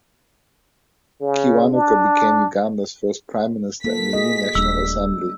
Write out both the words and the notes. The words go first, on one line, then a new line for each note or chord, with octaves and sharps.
Kiwanuka became Uganda's first prime minister in the new National Assembly.
C#3
D4
A#3 F4 A4 B6
F#4 G#4 D#5
D#1 G3 A3 D4 E6